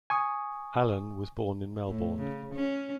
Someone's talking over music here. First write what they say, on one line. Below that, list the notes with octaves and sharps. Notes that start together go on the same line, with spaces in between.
Allan was born in Melbourne.
G#5 C#6 D#6
A2
C#3
C#4